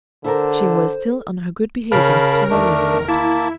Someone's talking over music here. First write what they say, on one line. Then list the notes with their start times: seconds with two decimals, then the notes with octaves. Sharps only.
She was still on her good behavior to her landlord.
0.24 D3 E4 A4 A#4 C5
1.92 C#3 A#4 F5 A5 B5
2.50 E2 D#3 A3 D4
3.08 A#3 E4 A5